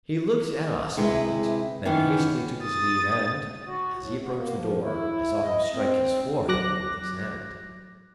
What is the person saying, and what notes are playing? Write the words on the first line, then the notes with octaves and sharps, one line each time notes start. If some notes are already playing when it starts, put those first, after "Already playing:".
He looked at us a moment, then hastily took his leave and, as he approached the door, I saw him strike his forehead with his hand.
C3 G#3 E4 B4
D#3 E3 B3 C#4
D#6 A6
F#4
A2
B3
A#3
F3
E4
D#5
C4
F#3 D6 F#6 A#6